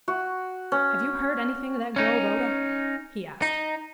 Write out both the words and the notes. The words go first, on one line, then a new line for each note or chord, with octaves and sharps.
"Have you heard anything of that girl Rhoda?" he asked.
F#4
C#4
C#4 D#4
D#4